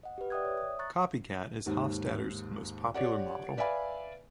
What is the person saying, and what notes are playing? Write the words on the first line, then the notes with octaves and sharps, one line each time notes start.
Copycat is Hofstadter's most popular model.
D#5 F#5
G4 B4
D5 E5 G5 D#6 F#6 G#6
C#5 E5
D#6
A#5 C#6 F#6 A6
D#2 G#2
G4 C#5 D5 F#5
B4 D5 E5 F5 G#5 B5